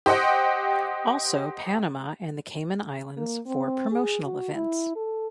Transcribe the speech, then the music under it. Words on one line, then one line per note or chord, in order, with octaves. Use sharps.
Also Panama and the Cayman Islands for promotional events.
G4 C5 D#5 F#5 G5
A#3
C4
G#4
F#4
E4
A4